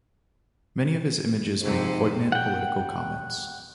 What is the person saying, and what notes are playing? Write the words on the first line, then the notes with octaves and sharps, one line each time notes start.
Many of his images make poignant political comments.
F2 G#2 C3
F#5 G5